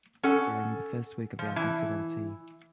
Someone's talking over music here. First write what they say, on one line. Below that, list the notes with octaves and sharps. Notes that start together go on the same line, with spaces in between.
During the first week of the offensive Lt.
C#4 A4 F#5
F3
E3 E4